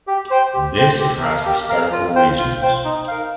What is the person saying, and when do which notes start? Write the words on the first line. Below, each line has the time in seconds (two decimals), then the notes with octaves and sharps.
This has historical reasons.
0.07 G4
0.31 C5 G5
0.54 G4
0.77 C5 G5
1.00 G4
1.23 A#4 F5
1.46 G4
1.69 A#4 F5
1.92 F4
2.16 C5 G5
2.38 F4
2.62 C5 G5
2.85 D#4
3.08 A#4 F5